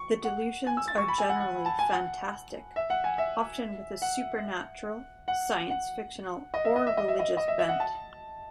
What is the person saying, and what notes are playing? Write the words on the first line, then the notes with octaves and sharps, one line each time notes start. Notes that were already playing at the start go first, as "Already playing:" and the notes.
The delusions are generally fantastic, often with a supernatural, science-fictional, or religious bent.
Already playing: C#6
F#5
G#5
E6
A6
C#6
B5
G#5
F#5
F#5
A5
G#5
F#5
E5
F#5
G#5
E5
F#5
F#5
F#5
D#5
E5
D#5
E5
D#5
E5
D#5
D#5
E5
E5
F#5
A5